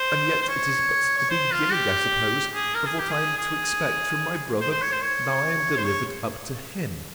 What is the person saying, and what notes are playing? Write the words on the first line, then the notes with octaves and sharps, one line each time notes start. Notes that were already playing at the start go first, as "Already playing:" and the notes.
And yet it is but the beginning, I suppose, of what I am to expect from my brother, now I am delivered up to him.
Already playing: C5
C5
C#5
C#5
C5
F4
G4
G#4
A#4
G#4
G4
G#4
G#4
C5
C5
C#5
C5
C#5
C5
C#5